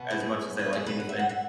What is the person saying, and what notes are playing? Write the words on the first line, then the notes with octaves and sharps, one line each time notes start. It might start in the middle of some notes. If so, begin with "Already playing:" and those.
as much as they like anything.
Already playing: B2 B3
E4
G#4
B4
G#4
B4
F#5
E5
F#5
E5